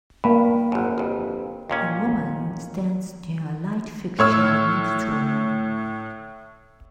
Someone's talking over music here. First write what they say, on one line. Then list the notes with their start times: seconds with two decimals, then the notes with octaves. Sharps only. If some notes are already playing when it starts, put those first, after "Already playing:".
A woman stands near a light fixture next to a man.
0.24 G2 A#3 B5
0.72 G#1 F#2
0.98 G1 F2
1.70 D#2 A#2 C#4
4.19 A2 C#5 E6 F6